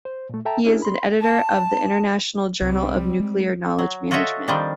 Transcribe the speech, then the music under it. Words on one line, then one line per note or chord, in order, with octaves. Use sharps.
He is an editor of the International Journal of Nuclear Knowledge Management.
C5
A#2 A3
A4 E5 G5 A5 A#5
C#4 D4 E4 G#4 A#4
B5 C6
A5
C2 G3 C4
G#3
F#3
F4 F#4 A4 C#5 D#5 E5
D#3 F3 G3 C4 D4